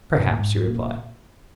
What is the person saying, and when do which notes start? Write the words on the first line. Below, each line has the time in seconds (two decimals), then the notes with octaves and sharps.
Perhaps, he replied.
0.22 C3
0.31 A#2
0.39 G#2
0.68 A#2